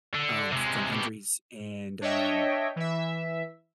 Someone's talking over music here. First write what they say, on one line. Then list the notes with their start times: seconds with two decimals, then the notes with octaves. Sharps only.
um, from injuries and, um,
0.14 D3
0.52 C3 G#3
0.92 B2 G4
2.01 D4 C#5 D#5 E5 G5
2.76 E3 E5